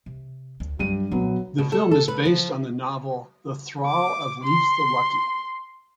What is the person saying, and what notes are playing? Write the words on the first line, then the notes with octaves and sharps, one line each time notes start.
The film is based on the novel "The Thrall of Leif the Lucky".
C3
D2
G2 F#3 G3 D#7
A#1 F#3 B3
B2
A4
A4
B4
F3
D6
C6